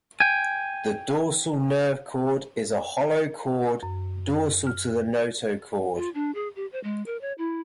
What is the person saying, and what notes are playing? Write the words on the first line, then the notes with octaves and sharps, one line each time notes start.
The dorsal nerve cord is a hollow cord dorsal to the notochord.
G5 G#5
F#2
F6
F4
D4
G#4
G4
C5
G#3
A#4
C#5
E4